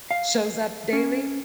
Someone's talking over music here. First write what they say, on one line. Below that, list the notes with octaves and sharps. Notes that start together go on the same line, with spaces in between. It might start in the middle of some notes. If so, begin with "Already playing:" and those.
shows up daily?
F5
C#4